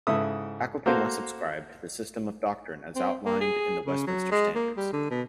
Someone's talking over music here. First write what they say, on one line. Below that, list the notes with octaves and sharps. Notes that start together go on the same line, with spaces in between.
Faculty must subscribe to the system of doctrine as outlined in the Westminster Standards.
G#2 C#3 E4 A4 E5 D#6
A#3 F#4 A4 C5 F5
C4
A#3
G#4
C#3
F#3
G#3
A#3
G3
D3
B2